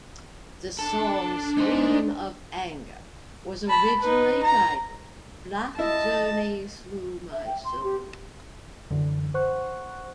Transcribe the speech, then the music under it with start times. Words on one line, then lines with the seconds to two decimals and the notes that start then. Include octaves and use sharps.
The song "Scream of Anger" was originally titled "Black Journey Through My Soul".
0.79 D4 A4
1.58 D#4 C5
3.68 A5 B5
4.00 D#4 B4
4.42 A#5
5.79 E4 D#5 A5
7.32 E5
7.46 G5
7.65 C6
7.84 G4
8.90 F#2 D3 E3
9.34 C5 F#5 C#6 F#6